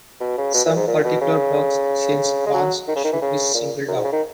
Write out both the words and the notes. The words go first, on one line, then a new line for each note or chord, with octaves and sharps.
Some particular works since Vance should be singled out.
B2
C#3
B2
A#2
G#2
A#2
B2
C#3
G#3
F#3
D#3
C#3
D#3
E3
C#3
A#2
F#2
G#2
C#3
D#3